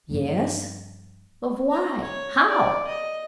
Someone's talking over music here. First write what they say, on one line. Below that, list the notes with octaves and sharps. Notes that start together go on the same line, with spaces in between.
"Yes, but why--how?"
G2 F3 A#3 D4
A#5
C#5
D5
D#5